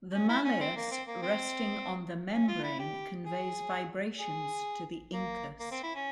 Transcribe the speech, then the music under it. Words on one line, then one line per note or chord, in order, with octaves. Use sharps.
The malleus, resting on the membrane, conveys vibrations to the incus.
C#4
E4
C#4
C4
A#3
C4
A#3
C4
C#4
F4
E4
G4
G#4
G#4
A#3
A#3
C4
E4
C#4